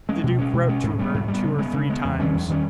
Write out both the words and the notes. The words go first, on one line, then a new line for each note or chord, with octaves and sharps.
The duke wrote to her two or three times.
G#3 C#4
B2
G#3 C#4
B2
G#3 C#4
G#2
G3 B3
G#2
G3
B3
C#3
G#3 B3
C#3
G#3 B3
E2
D#3 G3 C#4
E2
D#3 G3 C#4